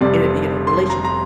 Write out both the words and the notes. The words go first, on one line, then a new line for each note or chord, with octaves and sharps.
eh, you know, "relations,"
F1 F2 C3 G3 D5
C6
A#5
A#5